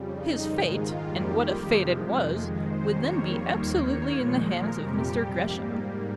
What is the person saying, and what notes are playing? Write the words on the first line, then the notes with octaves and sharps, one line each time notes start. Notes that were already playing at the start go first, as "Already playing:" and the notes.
His fate,--and what a fate it was!--would then be absolutely in the hands of Mr. Gresham.
Already playing: F2 C#3 G3
D#4
G#2 D#3 G#3 D#4
F4
F2 D#3 G3 A#3 G4
F2 C3 F3 G#3
F2 D#3 G#3 G#4
C5
F2 D#3 G3 A#3 C#5
D#2 D#3 A#3 C5
C#5
A#2 F3 G#3 C5
A#4
F2 C3 G3 G4
G#2 G3 A#3